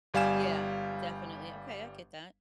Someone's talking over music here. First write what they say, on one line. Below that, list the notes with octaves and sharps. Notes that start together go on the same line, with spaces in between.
Yeah, definitely, okay, I get that.
G1 G3 F5 G#5 E7